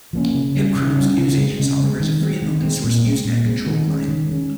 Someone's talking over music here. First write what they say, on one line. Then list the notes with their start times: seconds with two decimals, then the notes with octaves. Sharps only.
HipCrime's Newsagent software is a free and open source Usenet control client.
0.13 F3 A#3 C#4
0.34 C#3
0.55 G3 C#4
0.76 C#3
0.96 G3 C#4
1.18 C#3
1.38 G#3 C4
1.59 C#3
1.80 G#3 C4
2.00 D#3
2.21 G#3 C4
2.42 D#3
2.62 G#3 C4
2.84 A#2
3.04 G#3 C4
3.25 A#2
3.45 G#3 C4
3.66 D#3
3.88 G#3 C#4
4.08 D#3
4.29 G#3 C#4